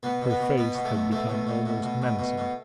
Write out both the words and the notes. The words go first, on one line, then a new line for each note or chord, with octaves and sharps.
Her face had become almost menacing.
B2 B3
B2
B3
B2
B2 B3
B2
A3
B2
B2 A3
B2
B2
B2
B2
B2
B2
B2